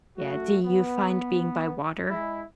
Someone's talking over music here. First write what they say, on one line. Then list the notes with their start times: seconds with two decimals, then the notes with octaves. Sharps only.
Yeah, do you find being by water
0.17 F#2 A3 F#4
0.65 B3
2.09 G#3 E4